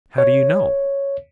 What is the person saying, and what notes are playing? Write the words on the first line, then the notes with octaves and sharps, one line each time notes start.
"How do you know?"
C#5